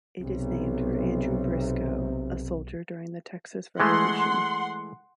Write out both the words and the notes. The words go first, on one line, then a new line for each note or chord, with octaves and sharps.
It is named for Andrew Briscoe, a soldier during the Texas Revolution.
B1 C3
E3 G#3 A3 F#5 C6